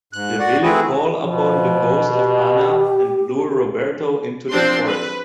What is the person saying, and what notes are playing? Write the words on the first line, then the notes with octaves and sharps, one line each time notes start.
The Villi call upon the ghost of Anna and lure Roberto into the forest.
G#2 F#6
F#4 D5 F#5
E3 A3 C4 E4 F#4 G#4
B2 F3
G4
F3 C4 D4 C5 C6
B4